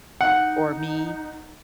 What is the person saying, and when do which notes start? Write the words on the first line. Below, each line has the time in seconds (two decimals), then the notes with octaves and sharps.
for me,
0.21 D#4 F#5